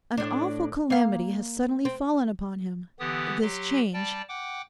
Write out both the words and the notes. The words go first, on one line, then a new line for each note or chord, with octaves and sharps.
An awful calamity has suddenly fallen upon him--this change.
A2 D4
A#3 F5
C4
D3 E3 B3 G4 D#6
F#3 G4 C6
G3 D5 G5 A5
F#5 G5 D6